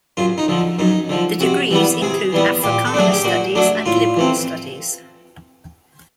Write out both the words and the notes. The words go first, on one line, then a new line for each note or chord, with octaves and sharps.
The degrees include Africana Studies and Liberal Studies.
F#2 F4
D#4
D3 F3
F#2 D#4
D3 F3
C3 F#4
E3 G3 B3
C3 G#4
E3 G3 B3
A#2 G4
A4
F#3 A3 D4 G#4
G4
A#2 F#4
F#3 A3 D4
A2 F4
E3 A3 C4